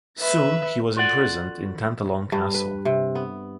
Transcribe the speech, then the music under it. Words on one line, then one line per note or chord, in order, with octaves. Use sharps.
Soon he was imprisoned in Tantallon Castle.
B4 E5
F4 F#4 A4 D5 F#5
G2
B4
C3
B3